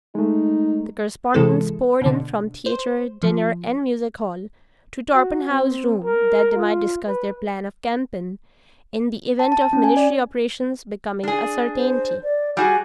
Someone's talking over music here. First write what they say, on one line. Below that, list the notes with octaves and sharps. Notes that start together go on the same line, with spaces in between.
The correspondents poured in from theatre, dinner, and music-hall to Torpenhow's room that they might discuss their plan of campaign in the event of military operations becoming a certainty.
G#3 A3 D#4
C3 E3 G#3 A4
B2 D3
C5
F3
F#4
C4
A#4
F4
B4
A5
A5
C#4
G#5
D5
D4 G#4
C5
D5
G3 F#4 G#4 G#5